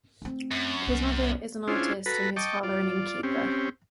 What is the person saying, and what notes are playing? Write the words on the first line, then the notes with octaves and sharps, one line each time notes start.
His mother is an artist and his father an inn keeper.
A3 C4
F#2
C2 B3
C#4 D4 E4 F4 G#4 C5
F#4 A4 B4 A#5 B5
D#5 G5 A5 C#6 D6
F4 D5
C4 C#4 G4